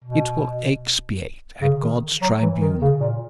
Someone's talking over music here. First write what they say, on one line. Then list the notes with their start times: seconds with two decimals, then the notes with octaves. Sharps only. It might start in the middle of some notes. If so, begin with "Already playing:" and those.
It will expiate at God's tribunal.
0.04 B2
1.61 C#3
1.82 D#3
2.21 F#3
2.42 E3
2.61 D#3
2.81 C#3
3.00 A#2